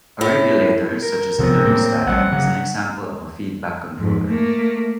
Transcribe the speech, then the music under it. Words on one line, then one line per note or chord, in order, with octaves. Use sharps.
A regulator such as a thermostat is an example of a feedback controller.
A2
A#4
C3 F3 B3 C4
A2 A#3
A1 G3 F#5
C#3 F#3
F2 G#2
A3 A#3